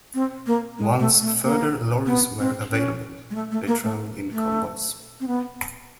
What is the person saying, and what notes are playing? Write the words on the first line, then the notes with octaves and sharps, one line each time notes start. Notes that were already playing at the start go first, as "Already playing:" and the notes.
Once further lorries were available, they travelled in convoys.
C4
A#3
G#3
A3
A3
A#3
B3
C4
C#4
G#3
A3
A3
A#3
A3
A3
C4
B3